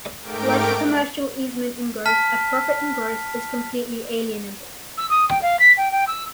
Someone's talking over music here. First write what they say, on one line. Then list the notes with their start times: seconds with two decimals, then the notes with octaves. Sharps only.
Like a commercial easement in gross, a profit in gross is completely alienable.
0.21 G#2 A3 A#4 G5 D6 D7
2.06 A5 F6 B6
4.97 E6
5.09 D#6
5.29 G5
5.42 F5
5.59 B6
5.77 G5
5.91 G5
6.07 E6